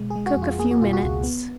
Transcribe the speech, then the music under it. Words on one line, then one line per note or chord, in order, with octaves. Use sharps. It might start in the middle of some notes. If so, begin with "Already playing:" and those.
Cook a few minutes.
Already playing: B2 G#3
G#4
G#3
F#4
F2
F4
A#3 G#4
F#4
B2 F4
F#4
C#2
B3